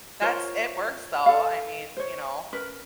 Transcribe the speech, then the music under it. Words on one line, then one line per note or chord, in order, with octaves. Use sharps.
That's it works, though, I mean, you know,
F4 A#4 C5 C#5
A4 F5
C5 C#5
C#4 A#4 B4